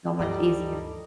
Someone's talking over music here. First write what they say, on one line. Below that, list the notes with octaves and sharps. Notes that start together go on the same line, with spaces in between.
So much easier.
D2 G2 G3 A4 D#5 A#5 D6